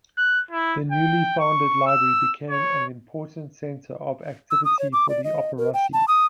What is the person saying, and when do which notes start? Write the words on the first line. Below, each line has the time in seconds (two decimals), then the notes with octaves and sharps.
The newly founded library became an important centre of activity for the "Operosi".
0.18 F#6
0.51 E4
0.92 G5
1.39 C#6
1.87 E6
2.50 C#5
4.51 E6
4.65 D#6
4.79 C#5
4.93 D6
5.09 D5
5.24 D#5
5.58 A#4
5.74 G5
5.93 A5
6.08 D#6